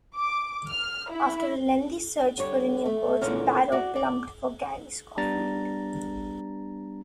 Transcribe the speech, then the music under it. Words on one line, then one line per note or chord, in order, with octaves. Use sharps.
After a lengthy search for a new coach, Barrow plumped for Garry Schofield.
D6
F6
E4
D3 G3 C#5
A3
E2 A#2 D3 C#4 A#4 F5
F#4 D5
D5
G3 B3 D4 A#5 A6